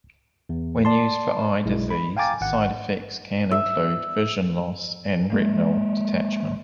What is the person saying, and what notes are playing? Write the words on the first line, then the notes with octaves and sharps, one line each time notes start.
When used for eye disease side effects can include vision loss and retinal detachment.
E2
D5 A5 C6
B1 G#3 E4
B5
F5 G5 G#5 A#5 D6 A6
G#1 F#5
E5
G#3 A#3